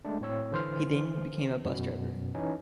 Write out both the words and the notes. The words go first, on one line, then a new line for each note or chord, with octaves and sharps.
He then became a bus driver.
G#3 A3 D4
A2 C4 C#5 E6
D3 E3 C5 C6 F6
F#2 B2
E3 C#4 D#4